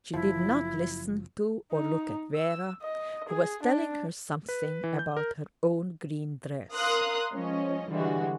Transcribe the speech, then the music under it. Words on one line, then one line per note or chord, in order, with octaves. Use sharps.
She did not listen to or look at Vera, who was telling her something about her own green dress.
F#1 F3 E4
D#4
E6
D#5
G#4
D4
B4
E3
G6
A#4
A#4 F5 C6 D#6 F#6
F3 G#3 C#4 D#5
D3 E3 G3 G#3 F#4